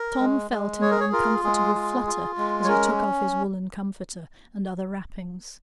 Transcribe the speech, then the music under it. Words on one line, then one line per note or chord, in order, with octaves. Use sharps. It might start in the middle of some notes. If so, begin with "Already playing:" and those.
Tom felt in an uncomfortable flutter as he took off his woollen comforter and other wrappings.
Already playing: A#4
G#3
G#3
G#4 C#5
A#4
C#5
F4 A#4
G#3 G#4
F4
F4
G#3
C#5
C#4 A#4